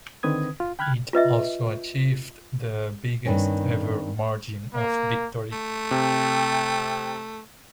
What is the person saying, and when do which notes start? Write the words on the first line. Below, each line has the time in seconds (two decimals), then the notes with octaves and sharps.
It also achieved the biggest ever margin of victory.
0.23 D3 D#3 C4 B4 D#6 G#6
0.60 F4
0.79 G5 B5 F6 F#6 G#6
1.13 F4 B4 D#5 E5
3.25 G2 D#3 C4 C#4
4.74 A#3
5.52 A3
5.91 C3 G5